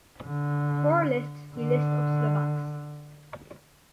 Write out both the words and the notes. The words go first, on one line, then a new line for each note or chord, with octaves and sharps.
For a list see List of Slovaks.
D3
D3